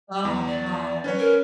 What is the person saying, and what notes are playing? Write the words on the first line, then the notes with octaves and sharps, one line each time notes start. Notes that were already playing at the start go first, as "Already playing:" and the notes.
Oh, God.
E2
D5
C#4 B4 C#5
A#4